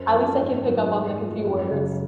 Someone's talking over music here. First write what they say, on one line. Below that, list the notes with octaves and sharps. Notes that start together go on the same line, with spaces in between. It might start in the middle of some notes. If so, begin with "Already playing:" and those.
at least I can pick up on like a few words
Already playing: F#2 C5
F3 A#3 C#4
G#2
D#3 F#3
G#2 G#4
G#4
F3 A#3
F#4
F#2 F4
C#3 F#3